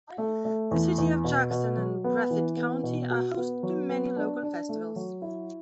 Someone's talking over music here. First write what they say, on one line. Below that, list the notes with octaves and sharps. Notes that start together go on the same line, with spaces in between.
The city of Jackson and Breathitt County are host to many local festivals.
A3
A3
E2
E2
B2
B2
F#3
B3
E3
B3
B2
F#4
B3
F#3
B3
D4
D4
A3
F#3
E4